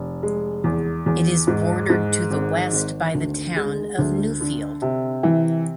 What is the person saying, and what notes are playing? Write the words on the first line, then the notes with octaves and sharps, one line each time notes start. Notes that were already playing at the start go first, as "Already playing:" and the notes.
It is bordered to the west by the town of Newfield.
Already playing: F1
G#3
E2
E2
G#2
G#2
G#1
G#1
D2
G#3
D2
D3
C3
E3